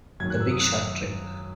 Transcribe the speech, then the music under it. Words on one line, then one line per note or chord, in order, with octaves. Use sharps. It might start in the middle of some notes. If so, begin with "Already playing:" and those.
The Big Short Trip.
F#2 D#3 F#3 G#6
F#6
E6
D#6
F#6